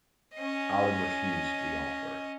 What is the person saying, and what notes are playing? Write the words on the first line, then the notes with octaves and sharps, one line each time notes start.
Allen refused the offer.
C#4 D#5